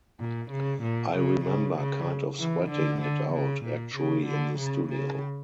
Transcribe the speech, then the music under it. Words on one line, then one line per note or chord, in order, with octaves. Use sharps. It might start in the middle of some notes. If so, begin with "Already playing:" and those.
I remember kind of sweating it out actually in the studio.
A#2
C#3
A#2
C#3
C#3
C#3
E3
D3
D3
C#3
A#2
C#3
D3
C#3
C#3